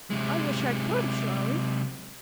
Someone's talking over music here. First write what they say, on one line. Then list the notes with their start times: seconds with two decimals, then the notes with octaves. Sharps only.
'I wish I could, Charley!
0.10 C3 G#3